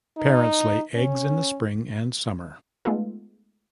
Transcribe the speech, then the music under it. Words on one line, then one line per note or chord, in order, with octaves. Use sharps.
Parents lay eggs in the spring and summer.
D#4
C#4
G#3 A3 B3 D#4 F4 A4